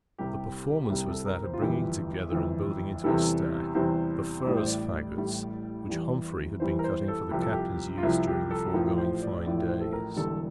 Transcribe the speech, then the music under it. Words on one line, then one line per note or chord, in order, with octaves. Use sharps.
The performance was that of bringing together and building into a stack the furze faggots which Humphrey had been cutting for the captain's use during the foregoing fine days.
C2 C3 G3 G4
C2 C3 G3 G4
A4
A#4
C5
F4
G1 F2 E3 G4
G1 F2 E3
E2 C3 E3 G3 A4
E2 C3 E3 G3 C5
A1 A2 G3 D5
C5
D5
A1 A2 G3
E2 E3 G3 D5
E2 E3 G3 C5
A#4
C5
A4
C2 C3 F3 G4
A4
G4
F4
C2 C3 F3 E4
G4
A4
A1 A2 F3 A#4
C5
D5
A1 A2 F3 D5
C5
A4
A#4
E1 E2 D3 G3 A4